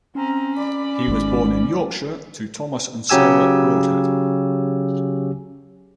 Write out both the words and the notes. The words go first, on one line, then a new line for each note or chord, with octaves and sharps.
He was born in Yorkshire to Thomas and Sarah Broadhead.
C4 C#4 A#5
D5 B5
G#1 G#2
C#3 F#3 G4 G#5 E6